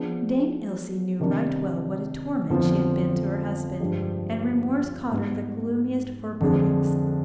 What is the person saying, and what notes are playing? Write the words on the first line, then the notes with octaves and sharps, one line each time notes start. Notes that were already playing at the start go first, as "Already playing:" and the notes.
Dame Ilse knew right well what a torment she had been to her husband, and remorse caused her the gloomiest forebodings.
Already playing: F3 B3 D4 G#4
C3 D#3 G3 D4
F2 D3 F3 B3
G2 F3 G#3 D4 G4
G#2 G3 B3
F2 D3 G#3 D4 G#4